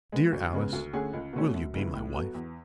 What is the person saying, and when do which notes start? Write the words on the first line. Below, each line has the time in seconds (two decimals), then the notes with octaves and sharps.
Dear Alice, will you be my wife?
0.12 G#3 B3
0.32 D2
0.53 C#3 G#3 B3
0.73 D2
0.93 D3 A3 C#4 G#4
1.13 C#2
1.33 B2 A3 C#4
1.54 F#2
1.74 C#3 G#3 B3 E4
1.94 A2
2.15 F#3 B3 F#4 A4
2.35 E2